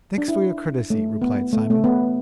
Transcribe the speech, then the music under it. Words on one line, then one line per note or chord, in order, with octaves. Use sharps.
'Thanks for your courtesy,' replied Simon.
D4
E4
A3
B3
A3
A3
B3